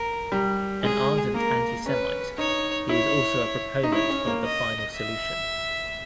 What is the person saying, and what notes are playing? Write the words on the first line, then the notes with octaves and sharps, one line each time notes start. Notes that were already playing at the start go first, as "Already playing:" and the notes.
An ardent anti-Semite, he was also a proponent of the Final Solution.
Already playing: A#4
G3
G#3 G#4
A#3 A#4
C#4 B4
D#4 C#5
E4 C#5
D#4
E4 C#5
C#4
A#3
D#5
E5